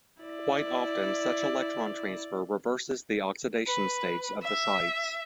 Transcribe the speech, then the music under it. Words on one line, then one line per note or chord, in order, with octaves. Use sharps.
Quite often such electron transfer reverses the oxidation states of the sites.
E4 D5
B4
E5